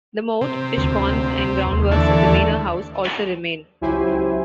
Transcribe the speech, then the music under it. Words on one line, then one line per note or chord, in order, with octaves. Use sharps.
The moat, fish ponds and groundworks of the manor house also remain.
C3
D2
D#2
D3 E3 A3
C#2 F#3 E4 G4 C5 G#5